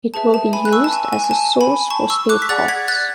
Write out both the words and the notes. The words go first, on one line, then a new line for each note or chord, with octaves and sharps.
It will be used as a source for spare parts.
G#4 B4 E5 A5
A5
G#5 B5
F#6
C#6 E6
A5
G#5
G#5
G#5
A5
G#5 B5
A5 C#6
C#6 E6
D6 F#6
B6
G#4 D5 F#5 F#6 A6
G#6 B6
F#6 A6